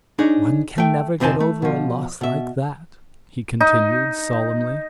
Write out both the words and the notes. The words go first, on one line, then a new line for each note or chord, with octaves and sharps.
"One can never get over a loss like that," he continued solemnly.
D4 D#4 G#4 C#5
A3 G5
F2 C3 C4 C5 G#5 A5
A3
B2 F3
B2 E5
D#4